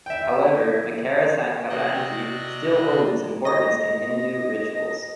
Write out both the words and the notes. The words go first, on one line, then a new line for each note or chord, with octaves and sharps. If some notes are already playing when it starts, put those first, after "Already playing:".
However Makara Sankranti still holds importance in Hindu rituals.
E5 G5
C3 F#4 D5 D#5 D#6 F#6
D#5 A#6